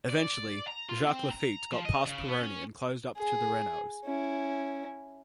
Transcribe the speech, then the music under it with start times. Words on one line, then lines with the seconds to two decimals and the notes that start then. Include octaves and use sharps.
Eventually, Jacques Laffite got past Pironi and closed up to the Renaults.
0.10 D5
0.68 A#5
0.89 F4
1.07 C4
1.31 A#5
1.72 F3
1.85 D#5
2.06 C#3
2.28 B3
2.41 C#4
3.17 G#4
4.04 C#4 E4